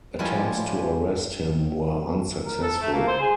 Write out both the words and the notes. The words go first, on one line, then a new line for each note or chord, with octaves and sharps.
Attempts to arrest him were unsuccessful.
F3 G3 G#3 C#4 E4 G4
A#4
A4
A3
A#3
C5
G#4